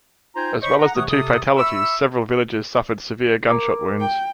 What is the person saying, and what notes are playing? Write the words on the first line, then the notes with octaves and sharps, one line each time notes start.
As well as the two fatalities several villagers suffered severe gunshot wounds.
D#4 F4 C5 G5 G#5 A#5
C5 C#5 D#5 B5 C#6
F#5 A#5
C3 E3 A3 C#5 F#5 D#6
C3 A4 D#6
E5 B5 C#6 E6
A#4 D6
G5